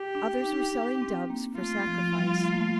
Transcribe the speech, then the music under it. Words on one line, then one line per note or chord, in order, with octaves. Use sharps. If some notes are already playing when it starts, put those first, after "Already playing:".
Others were selling doves for sacrifice.
Already playing: G4
D4
D#4
D4
D4
C4
A#3
A3 F4
F3
G3
A3
A#3
A3